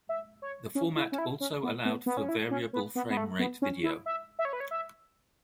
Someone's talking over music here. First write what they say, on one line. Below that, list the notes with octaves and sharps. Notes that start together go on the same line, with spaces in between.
The format also allowed for variable frame rate video.
E5
C#5
C#4
E4
C#4
E4
C#4
B3
B3
B3
C#4
E4
C#4
B3
B3
B3
A3
B3
C#4
E4
E5
E5
C#5
B4
C#5
E5